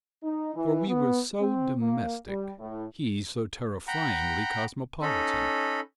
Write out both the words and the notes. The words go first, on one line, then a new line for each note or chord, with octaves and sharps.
For we were so domestic, he so terrifyingly cosmopolitan.
D#4
E3
B3
C4
A#3
G3
A2
F#5 G5 A#5 B5
C#4 D#4 A4 B5